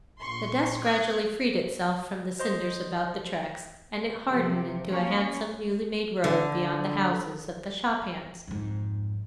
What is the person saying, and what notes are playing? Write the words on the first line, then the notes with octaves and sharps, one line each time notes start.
The dust gradually freed itself from the cinders about the tracks, and it hardened into a handsome, newly made road beyond the houses of the shop hands.
A#1 C6 C#6
D#6 F#6 G#6
C5 D#5 C6
C3 F3
A#3 C#4
D3
F2 G#2